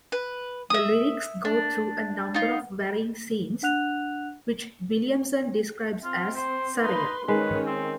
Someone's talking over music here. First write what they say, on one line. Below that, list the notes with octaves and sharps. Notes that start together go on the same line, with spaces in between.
The lyrics go through a number of varying scenes, which Williamson describes as surreal.
B4
E5 D#6
D4
D#4 F4
D4 F#5 F#6 F7
C4 F4
C5
D#4 B4 C6
D#3 G#3 C#4 B4
C4